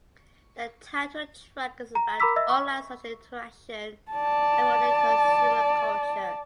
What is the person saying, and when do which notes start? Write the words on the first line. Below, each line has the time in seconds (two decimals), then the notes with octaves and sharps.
The title track is about online social interaction and modern consumer culture.
1.95 A#5
2.20 A#4 A#5 B5 D6 E6 B6
2.36 D#5 E5 E6
2.50 C#6
4.12 D5 A5